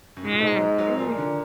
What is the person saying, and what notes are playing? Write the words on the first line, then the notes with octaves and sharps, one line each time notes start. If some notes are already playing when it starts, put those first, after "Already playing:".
Mm, mm.
F#2
G#2
A#2
G#2 B2
G#3
F#3
A#2 F3
D3